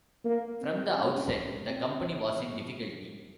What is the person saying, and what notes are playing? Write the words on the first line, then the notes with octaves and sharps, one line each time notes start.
From the outset the company was in difficulty.
A#3
C4
C#4
C4